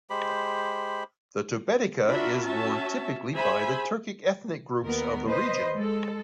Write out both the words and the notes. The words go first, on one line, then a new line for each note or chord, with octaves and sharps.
The tubeteika is worn typically by the Turkic ethnic groups of the region.
G#3 G4 C5 B5
D4 F4 F#4 A#4 E5 B5
C#4 F#4 E5 A5
G#4 C5 E5 G#5 B5
D#2 B3 A#4
B4 C5 D#5
G#3 A4